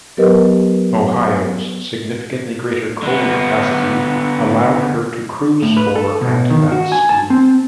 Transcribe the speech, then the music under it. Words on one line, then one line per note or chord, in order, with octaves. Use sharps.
"Ohio"s significantly greater coal capacity allowed her to cruise for at that speed.
F#3 B3 G4 A#4 B4 D#5
D3 B3
A2
B4
A4
B2
D#3
F#4
G#5
A5
C4